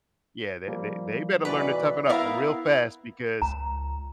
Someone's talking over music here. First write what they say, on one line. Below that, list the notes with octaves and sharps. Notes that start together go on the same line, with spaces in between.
"Yeah, they they they better learn to toughen up real fast because,
F3 G3 A#3
B1 E3 F#4 B4 D5 B5
B3 E4 A#4 E5 F5 A6
C#2 A#5